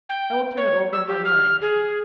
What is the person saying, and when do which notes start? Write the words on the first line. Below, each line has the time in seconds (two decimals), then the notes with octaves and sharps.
I will turn it over in my mind.
0.09 G5
0.57 C#5
0.93 E6
1.08 G4
1.25 F6
1.61 G#4